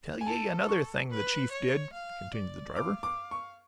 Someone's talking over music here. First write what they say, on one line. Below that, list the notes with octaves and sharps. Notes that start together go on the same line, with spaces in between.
"Tell ye another thing the chief did," continued the driver.
G#5
A4 A5
C#6
B4
C#5
F5
D5
F5 D6
D6
C#6